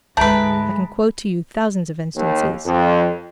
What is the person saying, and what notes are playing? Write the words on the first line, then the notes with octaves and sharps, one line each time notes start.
I can quote to you thousands of instances....
D2 G#2 G#3 A3 B4 A5 A#5 D7
D#2
F2